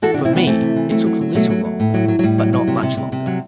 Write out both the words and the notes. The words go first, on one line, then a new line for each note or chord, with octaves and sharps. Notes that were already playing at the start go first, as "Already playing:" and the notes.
For me, it took a little longer, but not much longer.
E3 F#4 A4
C3 D4 F#4
C4 E4
E3 B3 D4
E3 A3 C4
C3
E3
F#3 A3 C4
F#3
F#3
B2 F#3 A3
F#3
F#3
A2
F#3
F#3
F#3
A2 G3
F#3
F#3
C3
C3
C3
C3
F#3